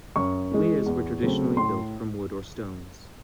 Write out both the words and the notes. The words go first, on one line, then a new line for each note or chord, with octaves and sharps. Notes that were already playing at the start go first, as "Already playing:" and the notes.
Weirs were traditionally built from wood or stones.
F#2 C#6
E3 G#3
E2
C#3 F#3 A3 C4
A2 C6